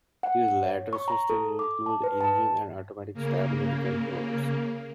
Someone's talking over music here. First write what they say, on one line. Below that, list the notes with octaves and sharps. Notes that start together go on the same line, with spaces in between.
These later systems include engine and automatic stability controls.
F#5
C#5
C#6
A#5
A4
D6
A5
B4
A5
C#3 A#3